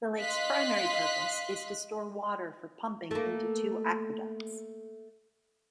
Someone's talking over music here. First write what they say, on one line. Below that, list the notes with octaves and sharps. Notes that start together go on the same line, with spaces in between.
The lake's primary purpose is to store water for pumping into two aqueducts.
D#5 F5 C6 F#6 B6
A3 A#3